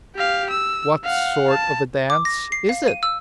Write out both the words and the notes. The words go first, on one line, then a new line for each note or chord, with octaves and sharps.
'What sort of a dance is it?'
G4 F5
E6
F5 F#5
A5
D6
A#6
C7
F5
D#7
E6